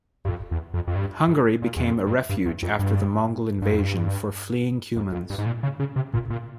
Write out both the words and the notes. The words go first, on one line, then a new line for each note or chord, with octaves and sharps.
Hungary became a refuge after the Mongol invasions for fleeing Cumans.
G2
F2
E2
F2
F2
G2
G#2
A#2
E2
F2
G2
G2
E2
F2
G2
G2
F2
G2
F2
F2
G2
G#2
A#2
C#3
C#3
C3
A#2
A#2